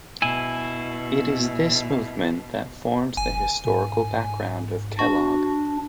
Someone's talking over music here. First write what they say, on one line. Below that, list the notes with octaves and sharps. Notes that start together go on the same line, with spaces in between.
It is this movement that forms the historical background of Kellogg.
B2 E4 G#5
F#1 G#5
G#2
D4 F#4